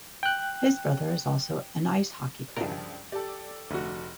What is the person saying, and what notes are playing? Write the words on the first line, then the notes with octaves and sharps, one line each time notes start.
His brother is also an ice hockey player.
G5 F#6
C#2 G2 F3 A#4 D5 A5
G4 A4 D5
F1 D2 F#4